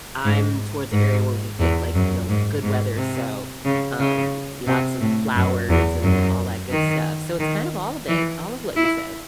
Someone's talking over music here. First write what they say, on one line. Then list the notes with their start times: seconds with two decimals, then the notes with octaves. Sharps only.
I'm towards the area where we could get, like, you know, good weather, so, um, lots of flowers and all that good stuff, so it's kind of all of it all of what you said.
0.25 G#2
0.92 G#2
1.60 E2
1.95 F#2
2.29 G#2
2.63 G#2
2.97 C3
3.65 C#3
3.99 C#3
4.67 C3
5.01 A2
5.36 F#2
5.69 E2
6.03 F#2
6.71 D#3
7.40 D#3
8.08 E3
8.76 E4